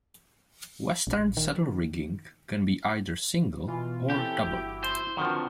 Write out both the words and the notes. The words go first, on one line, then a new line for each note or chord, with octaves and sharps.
Western saddle rigging can be either single or double.
A#1
D#3
B2 E3 F4
C4 C#4 E4 G4 A4
G1 F#4 D6
C5
D3 D#3 F3 C4 F#4 B4